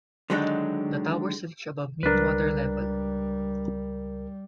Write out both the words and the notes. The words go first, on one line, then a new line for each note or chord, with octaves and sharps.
The towers reach above mean water level.
D3 D#3 F#3 G#3 D4 D#4
C#2 G3 D4 A#4 B4